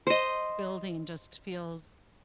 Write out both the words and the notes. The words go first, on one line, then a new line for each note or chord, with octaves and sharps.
building just feels
C5 D#5